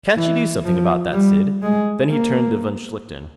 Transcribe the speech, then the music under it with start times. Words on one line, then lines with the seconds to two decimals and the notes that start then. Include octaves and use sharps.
"Can't you do something about that, Sid?" Then he turned to von Schlichten.
0.17 E3
0.65 F3
1.13 G3
1.62 G#3
2.10 A#3